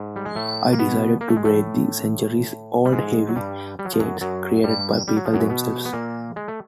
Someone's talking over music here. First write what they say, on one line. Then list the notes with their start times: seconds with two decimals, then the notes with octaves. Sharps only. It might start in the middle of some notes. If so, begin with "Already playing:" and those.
I decided to break the centuries-old heavy chains, created by people themselves.
Already playing: G#2
0.16 G3
0.25 G#3
0.36 A2 A3
0.73 A#3
0.79 B2 B3
1.21 A#3
1.29 A3
1.36 G#3
1.44 A2 A3
2.85 G3
2.92 G#2 G#3
3.28 F#3
3.36 G2 G3
3.79 G3
3.85 F#3
3.93 F3
4.00 F#2 F#3
4.21 F#2 F#3
4.64 G2 G3
5.08 G3
5.17 F#3
5.25 F3
5.34 F#2 F#3
5.50 B2 B3
5.85 B3
5.93 A#2 A#3
6.36 G#3
6.48 A3